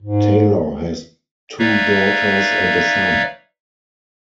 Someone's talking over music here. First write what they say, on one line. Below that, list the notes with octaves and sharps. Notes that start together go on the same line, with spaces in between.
Taylor has two daughters and a son.
G#2
D#4 B4 C#5 D5 E5 F5